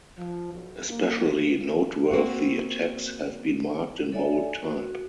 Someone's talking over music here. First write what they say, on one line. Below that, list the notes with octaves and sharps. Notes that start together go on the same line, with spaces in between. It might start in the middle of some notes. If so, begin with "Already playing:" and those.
Especially noteworthy attacks have been marked in bold type.
F3
B1
A#3
A#3 C4 F#4
A4 C#5 D5 E5 G#5
F#4